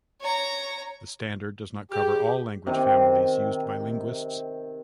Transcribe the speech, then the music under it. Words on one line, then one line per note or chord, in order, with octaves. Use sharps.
The standard does not cover all language families used by linguists.
C#5 A#5
G4 G#4
C3 D#3 A#5